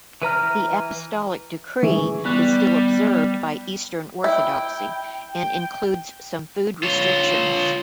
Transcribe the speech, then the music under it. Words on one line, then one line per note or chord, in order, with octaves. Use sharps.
The Apostolic Decree is still observed by Eastern Orthodoxy and includes some food restrictions.
E3 B4 A#5 F6
E3 G#4 C#6
G3 B3 F#6
E4 G5
G5
F4 C#5